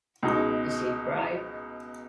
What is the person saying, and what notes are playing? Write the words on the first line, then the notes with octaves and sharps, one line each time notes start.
Is it bright?
C#2 B2 G#3 D#4